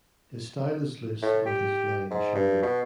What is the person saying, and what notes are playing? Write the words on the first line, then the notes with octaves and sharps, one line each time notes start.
His style is loose and his line assured.
A2
G4
G#2
G2
B2